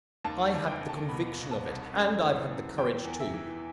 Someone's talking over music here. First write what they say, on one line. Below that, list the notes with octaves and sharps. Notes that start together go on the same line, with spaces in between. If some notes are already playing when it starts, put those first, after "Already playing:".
I had the conviction of it, and I've had the courage too!
D#2 A5
D#2
G5
D#2
A5
B2 B5
C2
A5
C2
F#2
E3
F#2
E3 G5
E2
E5
E3